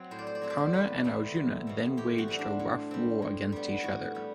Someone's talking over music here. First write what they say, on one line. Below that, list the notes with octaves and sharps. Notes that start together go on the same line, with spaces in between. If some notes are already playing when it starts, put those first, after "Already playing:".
Karna and Arjuna then waged a rough war against each other.
Already playing: F#3 C4
A2 C5
D5
C5
D5
F#3 C4 C5
D5
C5
E2 B4
B2 A3 C4
E2
B2 A3 C4
A2 G4
F#4
G3 C4
D4
A2
G3 C4
A2
G3 B3
A2 F#4
G3 B3